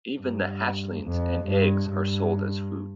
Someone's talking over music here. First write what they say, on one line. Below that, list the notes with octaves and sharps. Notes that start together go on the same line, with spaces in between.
Even the hatchlings and eggs are sold as food.
G2
F2
G2
G2